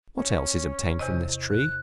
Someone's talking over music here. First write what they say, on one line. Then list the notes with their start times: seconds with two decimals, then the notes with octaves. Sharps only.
What else is obtained from this tree?
0.16 C#4
0.99 E2 C3 D#5
1.49 F#6